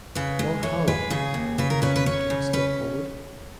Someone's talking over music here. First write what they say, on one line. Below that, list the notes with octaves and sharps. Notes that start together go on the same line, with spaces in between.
"Norhala." Ventnor took a step forward.
C#3 B4
G#3
E3 C#5
G#3 B4
C#3 G#4
D#2
C#3 B4
A#4
C#4 B4
B4
C#4 C#5
C#3
C#4 B4